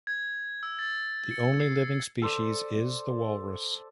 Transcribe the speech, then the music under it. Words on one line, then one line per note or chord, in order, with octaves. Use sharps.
The only living species is the walrus.
G#6
E6
A6
C#7
C7
A4 C5 D5